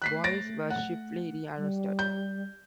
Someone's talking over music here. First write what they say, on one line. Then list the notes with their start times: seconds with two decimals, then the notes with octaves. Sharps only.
Boyce was swiftly rearrested.
0.02 A3 F#6 B6 C7
0.24 A6 A#6 D7
0.70 F#5
1.57 G3
1.99 G6